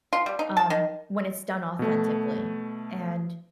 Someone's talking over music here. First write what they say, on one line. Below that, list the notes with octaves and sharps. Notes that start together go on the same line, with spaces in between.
um, when it's done authentically, and
F4
G3
D#4
A5
D#3
B2 A3